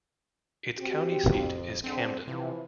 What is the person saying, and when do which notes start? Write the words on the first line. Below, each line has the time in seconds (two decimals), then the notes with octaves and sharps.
Its county seat is Camden.
0.77 C4 F#4 G4
1.23 F2
1.84 E2 G#2 D3 C4
2.28 C3 E3 F3